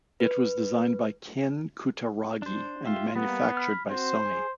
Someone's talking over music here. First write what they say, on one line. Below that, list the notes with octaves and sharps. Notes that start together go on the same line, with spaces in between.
It was designed by Ken Kutaragi and manufactured by Sony.
B4
D4 C5
F4 G4 E5 C6
G3 A#3 B3
B5 F6
C4 F#4 C5
G#4